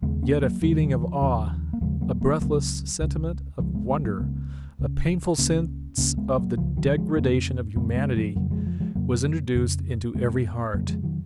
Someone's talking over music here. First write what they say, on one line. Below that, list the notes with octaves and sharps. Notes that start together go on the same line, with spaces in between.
Yet a feeling of awe, a breathless sentiment of wonder, a painful sense of the degradation of humanity, was introduced into every heart.
D#2 C#3 G#3 B3
A#3 C#4
F#3 A#3
D#2 C#3 F3 G#3
D#3 F#3
F3
D#2 C#3 F3
A#3
D#2 C#3 F3 G#3
F#3 A#3
F#3 A#3
C#2 C#3 F#3 A#3
C#2 C#3
C#2 C#3 F3 G#3
G#3 B3
G#3 B3
F#3 A#3
C#2 C#3 G#3 B3
C#2 C#3
C#2 C#3 A#3 C#4
C#2 C#3 A#3 C#4
G#3 B3
F#3 A#3
C#2 C#3 F3
D#3 F#3
F3 G#3
F2 C#3 A#3 C#4
F2 C#3 G#3 B3
G#3 B3
F3 G#3
F2 C#3 F#3 A#3
F3 G#3
F3
F3 G#3
F2 C#3 F#3 A#3
F2 C#3
F2 C#3 G#3 B3
F2 C#3 F#3 A#3
F3 G#3
D#3 F#3